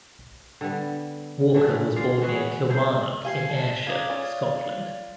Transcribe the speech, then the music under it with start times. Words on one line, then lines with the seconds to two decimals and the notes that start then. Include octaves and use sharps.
Walker was born near Kilmarnock in Ayrshire, Scotland.
0.61 D3 G3 B3
1.55 D3 E3 F#3 D4
1.96 G#3 D5 F5
2.22 E3 B3 F#4 G#4
2.69 F3 E4 G#4 C5
3.25 F3 G4 F5 G#5 G#6 C7
3.49 A5
3.87 C#3 D#4 F5 D6 D#6 G#6
4.10 C#4 F4 C#5 D5